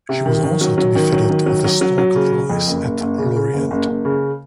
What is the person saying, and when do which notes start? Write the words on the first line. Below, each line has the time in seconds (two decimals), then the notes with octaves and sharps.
She was also to be fitted with a snorkel device at Lorient.
0.09 C3
0.26 D#3
0.43 D#3
0.61 F#3
0.78 F#3
0.95 D#3
1.13 F#3
1.29 D#3
1.46 F#3
1.64 F#3
1.81 F#3
1.98 F#3
2.15 C#3
2.32 C#3
2.50 F2
2.67 F#1
2.85 F#1
3.01 F#1
3.18 C#3
3.36 C#3
3.54 F#1
3.71 F#1
3.88 F#1
4.05 C#3